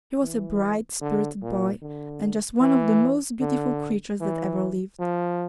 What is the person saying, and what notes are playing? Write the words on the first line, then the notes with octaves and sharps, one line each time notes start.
He was a bright, spirited boy, and just one of the most beautiful creatures that ever lived.
E3
D3
A#2
D3
E3
D3
E3
F3